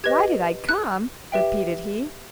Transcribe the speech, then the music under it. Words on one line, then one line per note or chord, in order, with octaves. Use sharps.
"Why did I come?" repeated he.
G4 B4 D#5 G#6
F#6
G4 B4 E5 G5